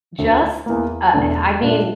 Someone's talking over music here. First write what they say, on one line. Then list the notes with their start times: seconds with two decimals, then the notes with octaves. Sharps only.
just uh, I I mean,
0.18 D2 D3 A3
0.66 E2 E3 A#3
1.13 E1 E2 D3 A3 D4
1.61 A#2 A3 D4 F4